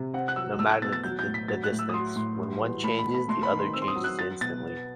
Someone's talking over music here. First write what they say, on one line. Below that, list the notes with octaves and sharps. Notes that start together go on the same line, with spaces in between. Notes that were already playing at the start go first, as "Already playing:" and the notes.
no matter the the the distance, when one changes, the other changes instantly.
Already playing: C3
C4 F#5
F#6
F#3 E6
A3 E6
F#6
B2 A6
A6
F#3 G6
G6
A2
B6
F#3 A6
F#6
A2
E6
D#6
F#3 C6
A2 C6
G3
E3
A3 B5
B5
B2
B5
A3 C6
B5
D#3
C6
C4 E6
C6
D#6
F#3
F#6
F#3 A6
B2 A6
B3